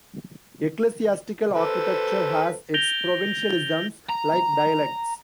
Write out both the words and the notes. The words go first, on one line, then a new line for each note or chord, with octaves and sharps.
Ecclesiastical architecture has its provincialisms, like dialects.
A4 B4 C5
G6 A6 A#6 D7 F7 G7
A#5